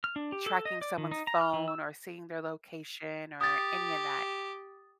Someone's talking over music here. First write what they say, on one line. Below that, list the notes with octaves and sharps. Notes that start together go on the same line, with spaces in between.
tracking someone's phone, or seeing their location, or any of that.
F6
D4
G4
A4
D#5
D5
D#3
D#4
A#5
F6
E3
E6
G4 D#6 A6